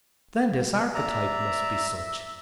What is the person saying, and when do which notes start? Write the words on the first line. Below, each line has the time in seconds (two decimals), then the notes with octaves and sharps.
'Then this archetype must be such.'
0.94 D5 E5 A#5